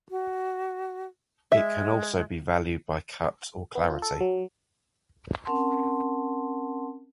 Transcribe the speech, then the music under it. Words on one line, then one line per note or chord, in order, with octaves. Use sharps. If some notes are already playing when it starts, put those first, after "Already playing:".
It can also be valued by cut or clarity.
F#4
G#3 E5
B3
F4
A4
F#3
C4 C#4 A#4 F#5 A5 C6